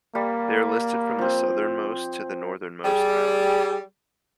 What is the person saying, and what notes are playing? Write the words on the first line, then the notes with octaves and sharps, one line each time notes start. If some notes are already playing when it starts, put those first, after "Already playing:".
They are listed from the southernmost to the northernmost island.
G3 A#3
F3 C4
G3 G#4